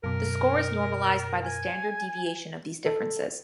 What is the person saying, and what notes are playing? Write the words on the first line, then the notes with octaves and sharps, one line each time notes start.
The score is normalized by the standard deviation of these differences.
F#2 B2 A#4
G#5
A4